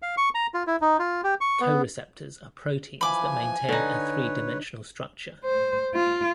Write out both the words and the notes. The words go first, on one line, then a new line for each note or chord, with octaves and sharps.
Co-receptors are proteins that maintain a three-dimensional structure.
F5
C#6
A#5
F4
E4
D#4
F4
G4
C#6
B3
E3 F3 G#5 B5 D6
D3 D#4 B4 C#5
C5
F4